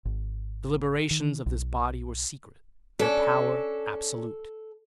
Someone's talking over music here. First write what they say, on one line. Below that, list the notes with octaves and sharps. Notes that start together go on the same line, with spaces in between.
The deliberations of this body were secret, their power absolute.
G#1
D#3
B1
C#4 D4 A4